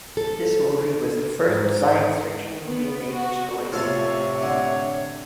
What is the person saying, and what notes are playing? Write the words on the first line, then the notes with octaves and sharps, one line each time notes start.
This movie was the first science fiction movie made in Chile.
A4
G#2
B3
F#4
A2 C3 F4 A4 C5 C#5
D3